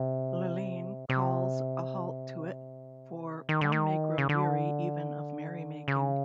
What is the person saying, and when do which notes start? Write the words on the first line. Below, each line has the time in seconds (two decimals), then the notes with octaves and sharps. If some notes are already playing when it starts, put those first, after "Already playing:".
Lurlene calls a halt to it, for "one may grow weary even of merrymaking".
Already playing: C3
1.09 C3
3.49 D#3
3.61 D3
3.72 D#3
4.18 C#3
4.29 D3
5.88 C#3